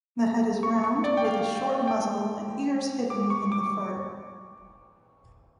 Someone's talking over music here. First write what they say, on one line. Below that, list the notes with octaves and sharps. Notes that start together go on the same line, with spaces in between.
The head is round with a short muzzle and ears hidden in the fur.
C#6
C#6
D5
G5
F5
G5
G5
D6
C#6
D6